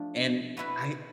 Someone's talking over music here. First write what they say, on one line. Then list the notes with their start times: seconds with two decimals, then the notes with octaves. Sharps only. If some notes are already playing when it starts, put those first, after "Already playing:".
And I
Already playing: F3 A3 D4
0.57 B2 B3 E4 B4